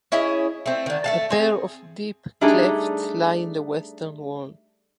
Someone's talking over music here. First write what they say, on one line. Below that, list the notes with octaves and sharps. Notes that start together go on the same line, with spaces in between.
A pair of deep clefts lie in the western wall.
C#4 E4 G#4 D#5
A3 C4
D3 D#3
A3 F5 A5
C4 G#4
G3 A3 D4 D#4 G4 G#4